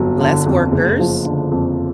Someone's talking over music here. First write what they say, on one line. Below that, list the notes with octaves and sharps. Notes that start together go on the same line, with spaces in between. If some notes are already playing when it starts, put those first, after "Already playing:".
Less workers
Already playing: G1 F2 F#3
D3
F2
F#1
F3
D3
F2